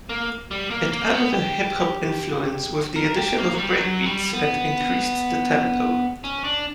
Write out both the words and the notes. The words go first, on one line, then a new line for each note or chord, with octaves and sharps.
It added a hip-hop influence with the addition of breakbeats and increased the tempo.
A#3
G3
A#3
A#3
B3
G4
A#4
G4
A#3
F#3
G3
F#3
G3
B3
C#4
D4